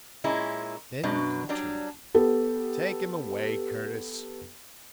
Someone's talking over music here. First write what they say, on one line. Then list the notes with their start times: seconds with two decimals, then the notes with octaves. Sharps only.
Then to the turnkey: "Take him away, Curtis."
0.24 A#2 G#3 C#4 E4
1.03 F#2 B2 D4
1.49 F#3 G3 D4
2.15 B3 G4 A4